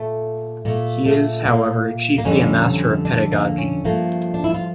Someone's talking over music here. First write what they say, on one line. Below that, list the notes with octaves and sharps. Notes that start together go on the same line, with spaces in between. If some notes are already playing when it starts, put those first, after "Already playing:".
He is, however, chiefly a master of pedagogy.
Already playing: A#2 A3
A#2 A3 A#3
A3
A#3
A#3
F2 D3 G3 C#4
D4
A#3
C#4
G2 F3 A3 A#3
D4
E4
F4